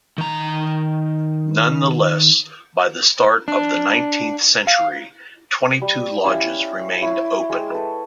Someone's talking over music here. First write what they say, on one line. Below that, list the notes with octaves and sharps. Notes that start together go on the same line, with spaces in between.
Nonetheless, by the start of the nineteenth century, twenty-two lodges remained open.
D#3 A#5
D4
F5
G3
C#4 E4 G4 F5
E4 C#5 B5 D6
G#3 G#4 G5
A4 B4